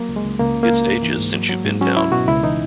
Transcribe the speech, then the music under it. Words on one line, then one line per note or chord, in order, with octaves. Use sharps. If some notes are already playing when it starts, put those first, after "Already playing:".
It’s ages since you’ve been down.
Already playing: F#3 A#3
C#2
G#3
C#2
C#2 A#3
C#3
A#3
C#2
G#2
E3
G#2
F#3
F#3
G#2
F#3 C#4
C#2 E4
B2 F#4
C#2 E4
E3 D#4